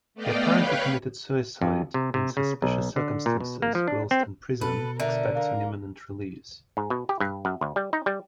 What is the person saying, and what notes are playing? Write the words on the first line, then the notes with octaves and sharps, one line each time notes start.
He apparently committed suicide in suspicious circumstances whilst in prison expecting imminent release.
A3 B3 D5 D#5 F5 G5
B4 C#5 F5 G5 B5 F#6
F2
C3
C3
C#3
B1
D3
A#2
B2
A#3
F3
D4
C4
B2 A4 B4
D3 A#4 E5
A#4 F5
G#2
B2
G4
G2
F#2
D2
G3
D#4
G3